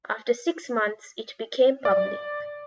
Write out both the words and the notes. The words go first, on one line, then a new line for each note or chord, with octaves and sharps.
After six months, it became public.
D5